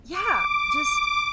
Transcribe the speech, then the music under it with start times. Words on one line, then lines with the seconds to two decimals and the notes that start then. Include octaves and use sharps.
yeah, just
0.14 D6